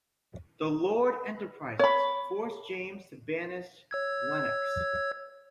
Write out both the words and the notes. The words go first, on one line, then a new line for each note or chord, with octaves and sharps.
The Lord Enterprisers forced James to banish Lennox.
C#5 B5
C#5 E6 G#6